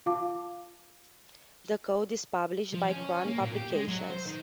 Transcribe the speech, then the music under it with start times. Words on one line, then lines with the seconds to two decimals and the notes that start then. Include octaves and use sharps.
The Code is published by Crown Publications.
0.06 F4 F5 A5 D6
2.74 F3
2.90 C#4
3.26 A#3
3.40 A#2
3.55 G4
3.71 G#3
3.88 F#3
4.10 C5
4.27 D#3